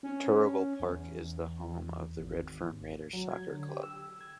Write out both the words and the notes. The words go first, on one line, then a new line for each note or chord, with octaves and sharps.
Turruwul park is the home of the Redfern Raiders Soccer Club.
C#4
E2
G#1
F#3
G#6
D3
G4
E6
G#6